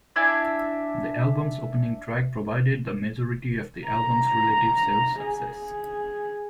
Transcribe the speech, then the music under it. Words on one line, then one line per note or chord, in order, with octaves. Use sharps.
The album's opening track provided the majority of the album's relative sales success.
D4 E4 E5 G#5
A#5
G#4